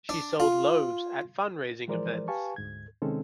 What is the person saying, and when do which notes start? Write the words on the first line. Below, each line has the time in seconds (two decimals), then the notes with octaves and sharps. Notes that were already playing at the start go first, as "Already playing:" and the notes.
She sold loaves at fundraising events.
0.09 D4
0.40 F4
1.88 E3 F3 G#3 A#4 C5 D5
2.28 G4 B4 F5 G#5 A5 C#6
2.56 D2 G#2 G#6
3.02 C3 D#3 G#3 C4 C#4 A4